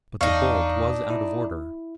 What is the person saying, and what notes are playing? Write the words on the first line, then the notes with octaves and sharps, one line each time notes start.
But the bolt was out of order.
E2 D4 D#4 F5 C#6
E4